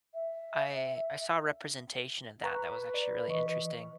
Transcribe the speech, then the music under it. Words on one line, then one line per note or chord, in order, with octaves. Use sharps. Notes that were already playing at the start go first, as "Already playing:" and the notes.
I I saw a representation of that that was actually really interesting,
E5
B4 A#5 C#6 F#6
D5
E3 D#5 C#6